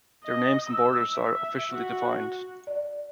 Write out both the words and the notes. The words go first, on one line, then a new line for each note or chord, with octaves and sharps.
Their names and borders are officially defined.
D#5
E6
E5
F#4
D5